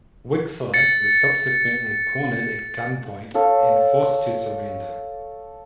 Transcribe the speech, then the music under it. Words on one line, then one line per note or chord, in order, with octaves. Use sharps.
Wexler is subsequently cornered at gunpoint and forced to surrender.
A6 C#7
A4 C#5 F5